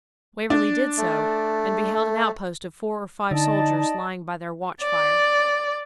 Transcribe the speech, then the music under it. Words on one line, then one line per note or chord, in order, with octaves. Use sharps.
Waverley did so, and beheld an outpost of four or five soldiers lying by their watch-fire.
D4
A3
D3 D#4 D5 D#5 A5
D5